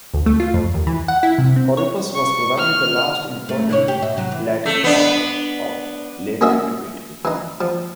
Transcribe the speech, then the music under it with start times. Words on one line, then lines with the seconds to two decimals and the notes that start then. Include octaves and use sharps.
Corippus was probably the last important Latin author of Late Antiquity.
0.14 D2
0.26 A3
0.40 F4
0.54 F2
0.74 D#2
0.87 E3
1.08 F#5
1.23 E4
1.38 C3
1.56 C4
1.77 C#5
2.15 C#6
2.58 F6
3.49 A3
3.69 C3 E4 C#5
3.88 G4
4.02 B2 E5
4.17 C3 F#3
4.32 E3
4.66 A3
4.84 B3 D4
6.41 A#3 C#4 F#4 D#5 E5
7.25 E3 D#4
7.61 F3